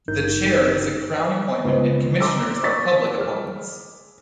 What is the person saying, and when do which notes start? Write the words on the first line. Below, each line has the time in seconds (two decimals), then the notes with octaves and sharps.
The Chair is a Crown appointment and Commissioners are public appointments.
0.08 G#1 G2 D#4 A#4 G6
1.65 C#2 B4 C5 D#5
2.20 A#5 C6 D6 E6
2.64 C#6 A6 B6
3.18 G#4 F6